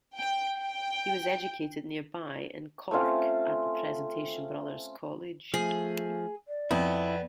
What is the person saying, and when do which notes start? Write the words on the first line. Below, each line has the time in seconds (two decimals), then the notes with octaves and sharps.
He was educated nearby in Cork at the Presentation Brothers College.
0.16 G5
0.59 G5
2.91 A3 C4 C#4 F4
5.54 F3 A3 G#4 G#5
6.48 D5
6.71 F2 B3 E4